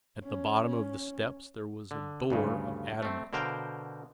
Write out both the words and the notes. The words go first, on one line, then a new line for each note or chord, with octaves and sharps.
At the bottom of the steps there was a door of adamant.
C#4
D3
D2 G2 C#3
A3 C4
B2 D3 A#4 C5 F5 G5